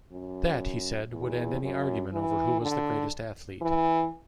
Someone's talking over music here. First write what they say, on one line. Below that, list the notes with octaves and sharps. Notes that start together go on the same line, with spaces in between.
That, he said, would end any argument over who was the greater athlete.
F#2
E2
F#2
E3
D3
E3